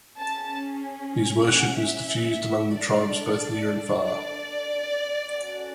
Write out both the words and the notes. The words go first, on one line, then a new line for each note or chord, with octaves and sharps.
His worship is diffused among the tribes both near and far.
C#4 G#4 A5
F#5
E5
D4 A4 D5
D5
C#4 F#4 A4